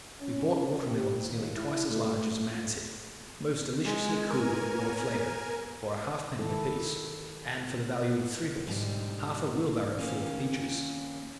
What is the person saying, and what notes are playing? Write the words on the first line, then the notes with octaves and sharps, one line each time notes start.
We bought water-melons nearly twice as large as a man's head, most deliciously cool and well-flavoured, for a halfpenny apiece; and for the value of threepence, half a wheelbarrowful of peaches.
C#4
G4
D#2
E4
A3
F3
G#3
B3 A#4 G#5
D#3 E4 A4
G#2 B2 D3 G3
D#3 A#3 C#4